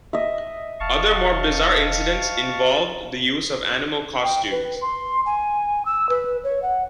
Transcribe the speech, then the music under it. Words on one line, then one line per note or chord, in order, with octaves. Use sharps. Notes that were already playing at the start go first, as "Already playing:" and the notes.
Other more bizarre incidents involved the use of animal costumes.
D#5 E5
E1 F5 A5 C#6
G5
B4
C6
G#5
E6
B4
C#5
F#5